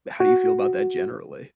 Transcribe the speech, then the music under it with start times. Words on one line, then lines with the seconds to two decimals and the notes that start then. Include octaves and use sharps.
how do you feel about that generally?
0.20 F#4